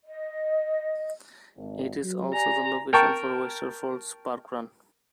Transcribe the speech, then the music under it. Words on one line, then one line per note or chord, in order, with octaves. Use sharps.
It is also the location for Westerfolds parkrun.
D#5
G#1
F#3
G4 D5 G#5 A#5
A#4 G5 A5 C#6